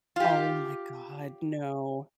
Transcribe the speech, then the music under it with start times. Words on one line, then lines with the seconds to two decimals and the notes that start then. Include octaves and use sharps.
Oh my God. No.
0.16 F4 G4